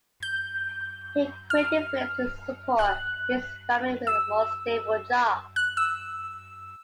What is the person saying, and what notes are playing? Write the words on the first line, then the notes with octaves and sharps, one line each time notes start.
He quit In Flames to support his family with a more stable job.
G6
F6
F#6
E6
F#6
E6